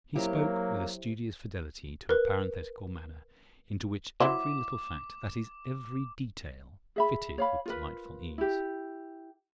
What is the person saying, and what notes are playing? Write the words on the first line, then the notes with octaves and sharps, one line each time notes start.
He spoke with a studious fidelity to a parenthetical manner, into which every little fact--that is, every detail--fitted with delightful ease.
F#3 A#3 C4 E4 G4
A#4 B4
F#3 E4 C5 D6
G#4 E5 B5
C#5 F5 B5
F4 A#4 B4
E4 G4